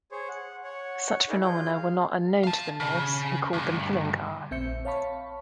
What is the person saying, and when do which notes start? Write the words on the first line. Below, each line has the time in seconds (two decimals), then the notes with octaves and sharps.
Such phenomena were not unknown to the Norse, who called them "hillingar".
0.12 G#4 C5 C#5
0.29 F#5
0.64 C#5 F#5
1.28 D#4 E4 G#4 A#4 D5
1.42 F4 G#4 G6
1.73 F5
2.43 F5 A5
2.80 C#3
3.53 D2 G2
4.51 A#1 C4 E5 G6 C#7
4.85 C#5 F5 A5 B5 C#6